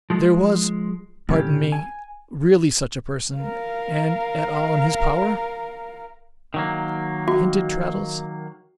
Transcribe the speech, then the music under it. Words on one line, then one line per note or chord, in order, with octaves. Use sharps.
'There was--pardon me--really such a person, and at all in his power?' hinted Traddles.
F3 G#3
A2 C#3 C#4 G4
G#5
A#4 F5
D#3 F#3 A#3
F#4